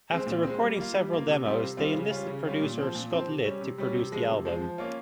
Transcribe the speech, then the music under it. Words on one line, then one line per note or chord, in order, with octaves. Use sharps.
After recording several demos, they enlisted producer Scott Litt to produce the album.
G#3 C4
A#2
G#3 C4
G3
A#3 F4
G3
A#3 F4
C3
G3 C4 F4
C3
G3 C4 F4
C#3
G3 C#4 F4
C#3
G3 C#4 F4
A#2
F3 C4
A#2
F3 C4
C3
G3 C#4
C3
G3 C#4
C3
F3 G#3
C3
F3 G#3
F3
A#3 C#4 F4